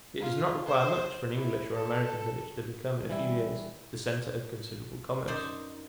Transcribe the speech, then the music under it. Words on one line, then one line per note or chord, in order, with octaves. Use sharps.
It does not require much for an English or American village to become in a few years the center of considerable commerce.
F4
C5
E4
A4
E3 G3 E4
F#2 D#4 C5 D5